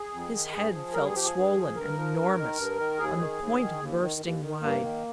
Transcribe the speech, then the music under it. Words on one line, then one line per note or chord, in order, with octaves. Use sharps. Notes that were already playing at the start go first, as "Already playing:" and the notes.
His head felt swollen and enormous, on the point of bursting wide.
Already playing: G#4
F2
D#3
G2 G#4
F3
G2 A#4
G#4
F3 G4
G#4
G2
F3
G2 A#4
F3
G2
D#3
G2
D#3
D#2 G#4
D#3
D#2
D#3
D#2
D#3
D#2
D#3
G2 A#3
D#3